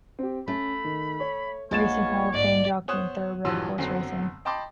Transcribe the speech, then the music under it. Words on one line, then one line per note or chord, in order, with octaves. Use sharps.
Racing Hall of Fame jockey in thoroughbred horse racing.
C4 G4
A3 C#4 B5
D#3
C#5
A#1 G#3 B3 F4 C#5 A6 E7
G#2 D5
B3 C5 C#5 D#6 F#6 E7
A#1 G2 E3 F#3 C6 E6
F#1 D3 F#3 B3 C4 C7
D#5 G5 A5 B5 C6 D6